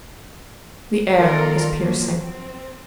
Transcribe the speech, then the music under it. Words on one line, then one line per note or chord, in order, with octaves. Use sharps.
The air was piercing.
D#3 B3 F4 A4 A#4 D5
F3 F#3 A#3
C4